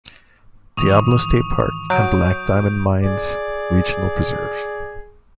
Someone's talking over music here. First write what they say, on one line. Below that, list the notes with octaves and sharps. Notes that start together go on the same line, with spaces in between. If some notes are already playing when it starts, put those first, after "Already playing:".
Diablo State Park and Black Diamond Mines Regional Preserve.
G#2 D#3 E3 C#6 D#6 F7
F#3 G6 D7
G#4 D5